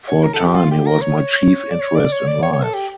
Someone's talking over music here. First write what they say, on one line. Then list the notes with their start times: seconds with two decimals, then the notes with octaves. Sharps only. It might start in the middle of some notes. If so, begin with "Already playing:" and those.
For a time, he was my chief interest in life.
0.08 C#5
0.24 A#4
0.34 A4
0.45 G4
0.55 F4
0.71 G4
0.86 A#4
1.02 C#5
1.71 D5
1.80 C#5
1.95 D5
2.12 C#5
2.27 D5
2.43 C#5
2.53 C#5
2.63 A4
2.74 G4